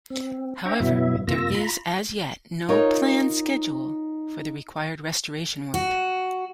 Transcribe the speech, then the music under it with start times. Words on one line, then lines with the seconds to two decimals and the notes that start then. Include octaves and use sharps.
However, there is as yet no planned schedule for the required restoration work.
0.10 C4
0.65 D4 C5 E5 G5 A#5 C#6
0.80 F#2 B2 F#3 B3 E4 E5
1.27 F#2 C3 A#3 F4 E6 A#6
1.55 F4 A#5 B5
2.69 D#4 F4 A#4 C#5
5.74 F#4